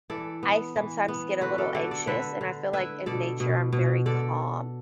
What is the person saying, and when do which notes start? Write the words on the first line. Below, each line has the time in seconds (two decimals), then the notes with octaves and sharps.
I sometimes get a little anxious and I feel like in nature I'm very calm.
0.10 E3 A4 D5
0.43 B3
0.76 E3
1.08 B3
1.41 D3 F#4 B4
1.58 A4 D5
1.75 D3 A4 D5
1.91 A4 D5
2.07 D3 B4 E5
2.41 D3
2.73 E4 B4 E5
3.06 B2 A4 D5
3.40 B2
3.73 B2
4.06 D3 A4 D5